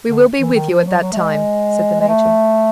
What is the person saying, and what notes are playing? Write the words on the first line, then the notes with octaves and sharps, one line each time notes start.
"We will be with you at that time," said the major.
D3
E3
D#3
F3
F#3
F#3
A3
G#3
G#3
A3